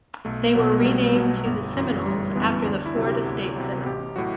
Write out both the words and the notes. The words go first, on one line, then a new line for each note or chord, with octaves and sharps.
They were renamed to the Seminoles after the Florida State Seminoles.
B1 A3
B2 F#3 B3
G3
B1 A3
B2 F#3
G1
F#2 E3
G1 G3
F#2 E3 B3
D2 D4
E4
C3 F#3
G4
D2
C3 F#3
A1 G4
A2 F#3 F#4